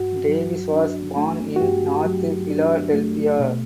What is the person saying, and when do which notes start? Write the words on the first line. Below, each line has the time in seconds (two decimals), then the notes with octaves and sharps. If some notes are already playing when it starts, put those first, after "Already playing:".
Davis was born in North Philadelphia.
Already playing: G2 F#4
0.28 F#3
0.73 D4
1.17 A3
1.56 F#4
1.61 G2 G4
2.05 F#3
2.50 D4
2.94 A3
3.39 B2